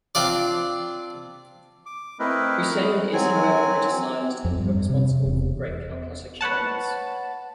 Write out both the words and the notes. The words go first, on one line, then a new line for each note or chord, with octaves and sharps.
Huseyn is however criticized and held responsible for the Great Calcutta Killings.
C4 D4 F4 D5
D6
A3 C4 E4 A#4 B4 D#5
D#6
F#3 C4 G#5
F2
G2
C3
E1
B4 C#5 F#5 A5